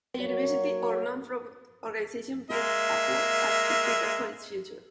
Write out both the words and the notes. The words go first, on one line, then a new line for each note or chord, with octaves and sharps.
A university or non-profit organization builds upward as it prepares for its future.
F#3 A#3 F#4 C#5
G#3 A#3 E5